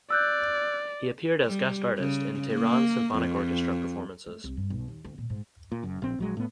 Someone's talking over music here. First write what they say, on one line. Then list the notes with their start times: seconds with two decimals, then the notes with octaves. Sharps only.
He appeared as guest artist in Tehran Symphonic Orchestra performances.
0.10 D5 E6 F#6 G6
1.45 G3
1.99 C#3
2.54 A#3
3.15 F2
4.26 A3
4.44 C2
4.57 G2
4.70 B1
4.88 D#2
5.04 D2
5.18 A#2
5.30 G#2
5.72 A#2
5.83 F#1 F#2
6.02 A#1 C4
6.19 A#1 F#3 G#3
6.37 A2 B3